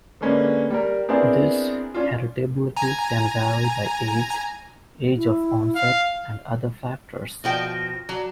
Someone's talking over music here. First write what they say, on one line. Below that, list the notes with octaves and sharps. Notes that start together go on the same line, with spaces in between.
This heritability can vary by age, age of onset, and other factors.
D3 G#3 A#3 C#4 D4 B4
G3 A#4
B3 C4 D4 E4 G#4 A#4
C#4 D4 F4
G#5 A#5
E4
F5
B2 F3 G5 A#6
F#3